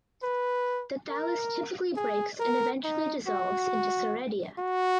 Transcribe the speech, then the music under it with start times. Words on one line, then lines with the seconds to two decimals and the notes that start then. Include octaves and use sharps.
The thallus typically breaks and eventually dissolves into soredia.
0.23 B4
1.09 A#4
1.97 G#4
2.40 A#4
2.84 D#4
3.27 F#4
4.59 F#4